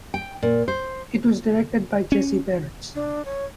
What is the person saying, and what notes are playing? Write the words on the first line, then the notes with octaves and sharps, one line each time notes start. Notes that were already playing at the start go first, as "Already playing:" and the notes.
It was directed by Jesse Peretz.
G5
A#2
C5
C#4
D4
C#5